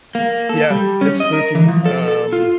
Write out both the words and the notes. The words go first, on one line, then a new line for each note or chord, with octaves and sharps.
Yeah, it's spooky, um,
A#3
A4
G3
C#4
D#5
A#4
E3
F3
A4
A4
F4